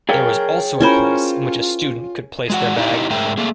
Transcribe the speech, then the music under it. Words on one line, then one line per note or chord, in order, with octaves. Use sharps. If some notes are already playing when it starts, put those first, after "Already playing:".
There was also a place in which a student could place their bag.
G#4 A#4 C#5 F5 G5
C#4 E4 F4 A#4 C5 B5
G#3 F#4 F#5
G#3 A#3 D#4 E4 G4
G#2 A3 G#4 A#4 E5 G5
A3 A#3 G#4